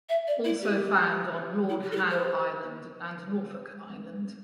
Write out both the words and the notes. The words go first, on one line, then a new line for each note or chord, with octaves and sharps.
Also found on Lord Howe Island and Norfolk Island.
E5
D5
E4
G4
E4
G4
A4
G4
C5